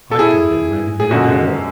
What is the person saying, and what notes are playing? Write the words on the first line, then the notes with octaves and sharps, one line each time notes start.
I thought it might have been an owl.
A4
E4 G#4
G#4
F#2 D3 G#3 F#4